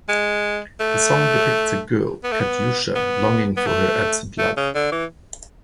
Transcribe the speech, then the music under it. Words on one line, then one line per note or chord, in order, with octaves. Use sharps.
The song depicts a girl, Katyusha, longing for her absent love.
G#3
A3
B3
A3
B3
B3
B3
A3
A3
C#3
D3
E3